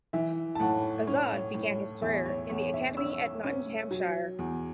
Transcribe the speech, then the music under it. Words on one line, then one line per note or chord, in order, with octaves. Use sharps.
Azad began his career in the academy at Nottinghamshire.
E3 E5
A5
A2 F#5
C#4 C#5
A2
E2 E5
C#5
E2 C#5
E5
C#4 E6
C#4
F#3
E2